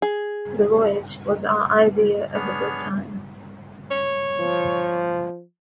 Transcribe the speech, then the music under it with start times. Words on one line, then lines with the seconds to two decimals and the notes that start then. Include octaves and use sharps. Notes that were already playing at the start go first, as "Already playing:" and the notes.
The voyage was our idea of a good time.
0.02 G#4
2.34 B3 D4 G#4 B4 C#5 F6
3.91 C#5
4.40 F3